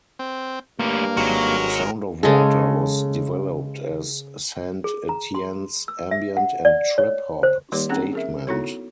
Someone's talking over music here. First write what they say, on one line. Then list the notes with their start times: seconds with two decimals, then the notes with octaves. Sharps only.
"Sound of Water" was developed as Saint Etienne's ambient and trip hop statement.
0.19 C4
0.79 G2 A3 A#3 G4
1.17 G#1 G#3 F#4 A#4 C#5
2.23 C#3 G#3 A4
4.84 G#4
5.09 A#5
5.35 C6
5.88 E6
6.11 E5
6.37 F#5
6.65 D5
6.98 C#5
7.43 C5
7.72 D#3 G3 A#3 D#4 G4 C#5
7.89 C4 C#4 D#4 G#4 F#5 A#5
8.13 G#4 A#4 E5
8.47 B3 D#4 E4 F#4 A4 C#5